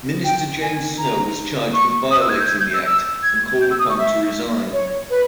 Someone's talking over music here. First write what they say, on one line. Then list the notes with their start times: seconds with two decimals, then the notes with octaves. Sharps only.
Minister James Snow was charged with violating the act, and called upon to resign.
0.24 G5
0.62 G#5
0.98 A#5
1.74 C#6
2.11 D#6
2.21 E6
2.29 G#6
2.40 G6
2.48 G#6
2.60 G6
2.74 E6
2.86 E6
3.23 G#6
3.61 G6
3.71 E6
3.79 D#6
3.89 C#6
3.98 E5
4.73 C#5
5.10 B4